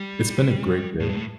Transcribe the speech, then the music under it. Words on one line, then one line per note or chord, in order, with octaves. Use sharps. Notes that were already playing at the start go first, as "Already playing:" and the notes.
It's been a great day.
Already playing: G3
A2
G2
A2